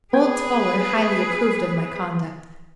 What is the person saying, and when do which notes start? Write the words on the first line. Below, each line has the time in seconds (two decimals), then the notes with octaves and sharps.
Old Toller highly approved of my conduct.
0.14 B3 G#4 B4 G5 G#6